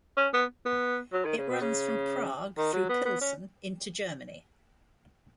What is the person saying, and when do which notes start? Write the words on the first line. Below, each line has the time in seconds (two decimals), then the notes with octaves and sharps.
It runs from Prague through Pilsen into Germany.
0.17 C#4
0.33 B3
0.65 B3
1.13 F#3
1.25 D#3
1.37 C#3
1.49 B2
1.61 C#3
2.57 D#3
2.73 F#3
2.89 B3
3.05 B3
3.21 C#4